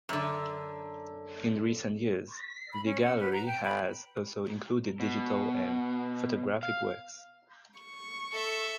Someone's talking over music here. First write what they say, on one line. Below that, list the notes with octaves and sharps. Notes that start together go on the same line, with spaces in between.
In recent years the gallery has also included digital and photographic works.
F#2 D3
B5
C#4
F#5
B4
A#5
G5
B5
B2
F5
C#6
A4 E5